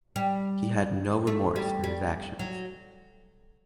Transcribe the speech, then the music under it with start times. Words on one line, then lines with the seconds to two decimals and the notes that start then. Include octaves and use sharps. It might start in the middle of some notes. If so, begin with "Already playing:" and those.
He had no remorse for his actions.
0.16 G3
1.27 A3
1.56 G3
1.84 G3
2.39 F#3